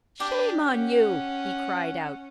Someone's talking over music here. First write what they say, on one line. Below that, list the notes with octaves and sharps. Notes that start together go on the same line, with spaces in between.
"Shame on you!" he cried out.
D4 G4
C#4 F#5